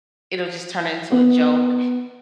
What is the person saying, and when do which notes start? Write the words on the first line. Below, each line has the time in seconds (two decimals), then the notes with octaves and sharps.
it'll just turn into a joke.
1.12 B3